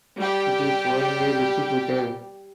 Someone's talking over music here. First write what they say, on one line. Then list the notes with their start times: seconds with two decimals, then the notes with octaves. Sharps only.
It is widely distributed.
0.16 G3 G4